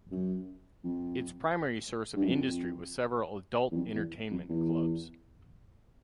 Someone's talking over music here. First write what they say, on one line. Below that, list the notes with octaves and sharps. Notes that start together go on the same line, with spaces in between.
Its primary source of industry was several adult entertainment clubs.
F#2
F2
G2
F#2
F2
E2
F2
E2
F2
E2